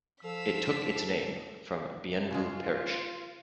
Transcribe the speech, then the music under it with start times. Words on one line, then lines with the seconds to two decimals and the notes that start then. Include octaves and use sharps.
It took its name from Bienville Parish.
0.24 F3 A4 F5 E6 B6
2.31 C#3 G#3 F4